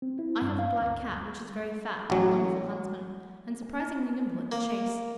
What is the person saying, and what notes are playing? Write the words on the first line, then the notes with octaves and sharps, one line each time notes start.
I have a black Cat, which is very fat, but a wonderful huntsman, and surprisingly nimble at the chase.
C4
E4
G2
F5
D2
A1 F#3
A#3